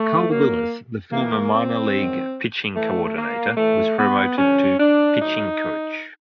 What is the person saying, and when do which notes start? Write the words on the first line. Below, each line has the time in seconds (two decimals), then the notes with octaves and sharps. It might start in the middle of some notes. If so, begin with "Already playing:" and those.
Carl Willis, the former Minor League pitching coordinator, was promoted to pitching coach.
Already playing: A3
0.30 B2 F#3 A#3
1.11 G#2 E3 A#3
1.53 C4
1.93 G#2 D#3 F#3
2.75 A2 E3 A3
3.16 A#3
3.56 A2 E3 A3
3.98 B3
4.38 G2 D3 F3 C#4
4.79 D4
5.19 A2 F#3 D#4